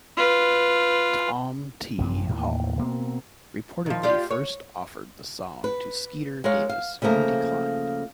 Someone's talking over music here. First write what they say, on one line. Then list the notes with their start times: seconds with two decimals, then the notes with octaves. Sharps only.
Tom T. Hall reportedly first offered the song to Skeeter Davis, who declined.
0.17 F4 B4
1.98 A1 F#2 C3
2.29 D#2 A2 D#3 E3
2.79 B2 A#3 C4
3.86 D#3 F3
4.03 F4 G4 D5
4.31 C#5
5.64 B4
6.44 G#3 A#4 C#5 F5
6.69 F5
7.02 C#3 F3 A3 A#3 A#4